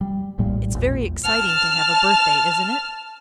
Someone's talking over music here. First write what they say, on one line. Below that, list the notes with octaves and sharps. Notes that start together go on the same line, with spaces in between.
It's very exciting to have a birthday, isn't it?
G3
A#1 A2 G3 A#3
A#1 E2
A5 F6